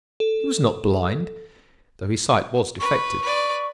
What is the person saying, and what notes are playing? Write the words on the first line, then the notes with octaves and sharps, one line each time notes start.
He was not blind, though his sight was defective.
A4
B4 C#6
B4 D5